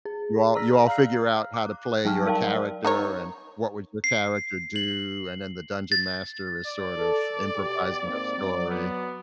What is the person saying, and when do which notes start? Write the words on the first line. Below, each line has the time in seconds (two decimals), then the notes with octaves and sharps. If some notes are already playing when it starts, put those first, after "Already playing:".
you all you all figure out how to play your character and what would your character do, and then the Dungeon Master is sort of improvising a story.
0.05 G#4
0.55 D5 A#5 E6 F6 A#6 B6
0.87 F5 A#5 F6 C7
1.54 D6 F#6
2.05 F#3 G3 D#4 A5 C#6 F6
2.26 D#4 A#4 D5 F5 G5 A5
2.85 D#4 A#4 C#5
4.04 C7
4.76 F#7
5.92 A6
6.66 D5
6.97 A4
7.54 B2 G4
8.02 G#2 A#3 C4
8.38 F#3
8.70 B3